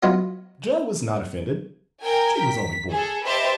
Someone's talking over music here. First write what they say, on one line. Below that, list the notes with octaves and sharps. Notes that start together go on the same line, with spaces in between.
Joe was not offended; she was only bored.
F#3 B3 F4 D#5
A#4 G5 G#5
B6
G#4 A4
G4 B4 C5 D#5 E5 A5